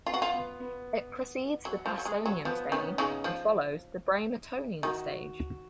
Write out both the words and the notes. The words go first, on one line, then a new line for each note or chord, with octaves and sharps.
It precedes the Pastonian Stage and follows the Bramertonian Stage.
B3 F4
F#4
F4
B3
B3
F#3
F3
F#3
G#3
F#3
F3 B3
D#3 C#4
C#3 D#4
F3
D#3 F#4